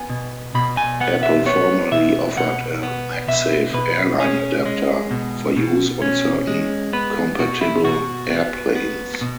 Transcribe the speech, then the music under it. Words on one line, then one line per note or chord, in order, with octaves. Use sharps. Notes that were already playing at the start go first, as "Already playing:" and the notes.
Apple formerly offered a "MagSafe Airline Adapter" for use on certain compatible airplanes.
Already playing: B3 G#5
B2
B2 B5
G#5
B3 F#5
E5
B3 C#5
B2 E5
B2 F#5
B3
B2 E5
B2 B4
C#4 G#4
G#3
B2
B2
C#4
G#3
B3 B4
B2 F#4
E4
B2 F#4
B3
B3
B2